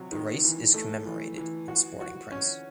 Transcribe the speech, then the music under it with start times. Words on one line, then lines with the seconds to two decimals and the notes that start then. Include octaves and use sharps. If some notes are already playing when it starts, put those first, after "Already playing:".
The race is commemorated in sporting prints.
Already playing: C3 F#3
0.12 D#3
0.44 E3
0.74 A3
1.05 E3
1.37 E3
1.68 F#4
2.00 F#4
2.32 C#4